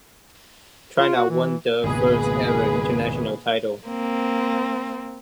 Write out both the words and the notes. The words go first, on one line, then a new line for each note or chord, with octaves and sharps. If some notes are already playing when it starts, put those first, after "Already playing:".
China won their first ever international title.
F4
F#4
E3
G#1 C#2 B2 A#3 G#4 B4
A#3 C4